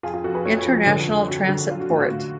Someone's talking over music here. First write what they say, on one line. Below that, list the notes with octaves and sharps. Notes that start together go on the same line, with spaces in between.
International transit port.
F2 F4 G#4
F4 G#4
F3 F#4 A4
G#4 B4
F2 A4 C#5
A4 C#5
F3
D3 A4 C#5
F2
F2 F#4
D3
F#3 F4
F#4
A2 F4
F#4
A2